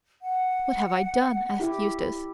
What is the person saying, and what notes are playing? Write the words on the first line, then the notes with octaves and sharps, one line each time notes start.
"What have I done?" asked Eustace.
F#5
E4 G4